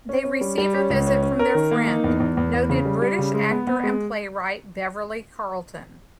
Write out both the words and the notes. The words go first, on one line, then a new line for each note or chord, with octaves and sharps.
They receive a visit from their friend, noted British actor and playwright Beverly Carlton.
C#4
C#4
G3
G3
C#4
C#2
C#4
C#4
A#4
D#3
A#3
D#4
E2
E2
E2
E2
C#3
G3
G3
C#3
G#3
B3
B3
G#3